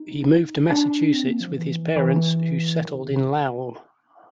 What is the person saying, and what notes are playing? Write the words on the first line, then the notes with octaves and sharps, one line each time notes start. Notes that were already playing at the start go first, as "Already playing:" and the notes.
He moved to Massachusetts with his parents, who settled in Lowell.
Already playing: D#4
D4
C4
A#3
F3
E3
E3
D#3
C3